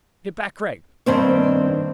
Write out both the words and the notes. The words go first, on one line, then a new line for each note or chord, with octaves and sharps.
Get back, Gregg!
G2 D#3 A#3 C4 C5 C#5